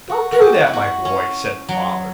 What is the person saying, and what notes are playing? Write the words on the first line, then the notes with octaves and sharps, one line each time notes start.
"Don't do that, my boy," said the father.
F#4
F#4
G4
E4
F#4
C#4
F#3